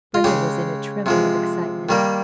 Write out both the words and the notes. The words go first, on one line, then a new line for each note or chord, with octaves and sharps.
Brenda was in a tremor of excitement.
F4
C#3 G#3 G4
C3 F3 G#3
D#3 G3 A#3